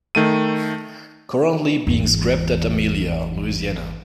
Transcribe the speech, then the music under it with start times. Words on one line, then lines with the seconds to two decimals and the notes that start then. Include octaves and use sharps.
Currently being scrapped at Amelia, Louisiana.
0.15 D#3 A3 D#7
1.87 G#1 E2